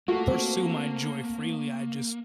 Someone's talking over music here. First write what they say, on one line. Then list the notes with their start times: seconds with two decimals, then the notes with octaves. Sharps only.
pursue my joy freely, I just
0.08 A3 A#3 F#4
0.28 C4